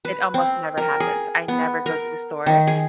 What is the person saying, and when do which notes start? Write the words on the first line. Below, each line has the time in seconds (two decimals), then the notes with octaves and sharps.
It almost never happens; I never go to the store
0.05 B4
0.34 C4
0.77 A#4
1.00 G#4
1.48 B3
1.86 A#4
2.47 D#3
2.67 G#4